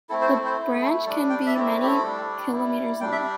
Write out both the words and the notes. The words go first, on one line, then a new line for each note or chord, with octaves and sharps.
The branch can be many kilometres long.
A3 C4 E4 A4
C5
A4
C5
A3 E4
A4
G3 D4 A4
G5
E5
A3 C4 E4 D5
A4
G4
A4
G3 D4
G3 E4
G3 D4 G5
E5